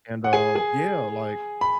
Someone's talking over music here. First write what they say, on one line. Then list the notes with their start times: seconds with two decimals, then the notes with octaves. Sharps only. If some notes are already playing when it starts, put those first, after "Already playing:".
and, um Yeah, like,
0.24 F#5
0.33 G#4 G#5
0.55 G#4 G#5
1.61 B5